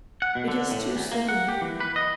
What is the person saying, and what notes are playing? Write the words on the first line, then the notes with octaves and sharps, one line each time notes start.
It is too soon.
F#5
B2
D3
A2
E2
A#3
F#5
G4
E3
B4
D#5